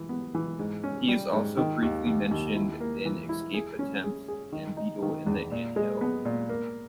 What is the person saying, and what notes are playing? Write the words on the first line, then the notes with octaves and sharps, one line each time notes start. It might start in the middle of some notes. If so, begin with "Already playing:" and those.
He is also briefly mentioned in "Escape Attempt" and "Beetle in the Anthill".
Already playing: E3
B3
E3
G#2
C#4
G3
G#2
D#3
D#2
D#2
D#2
E4
A#3
E3
E4
G#4
C#4
G#4
G#4
D#3
D#4
D#3
E2
A#2
G#3
B3
A#2
A#3